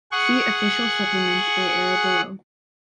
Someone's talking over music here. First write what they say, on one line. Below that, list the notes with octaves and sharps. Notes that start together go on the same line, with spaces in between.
See Official Supplements by era below.
G#4 F#5 C#6